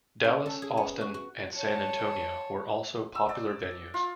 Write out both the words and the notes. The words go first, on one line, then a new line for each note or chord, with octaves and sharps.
Dallas, Austin, and San Antonio were also popular venues.
C#4
A4
G#4
B3
F#4
F#4
C#5 A5
E6
D5
F4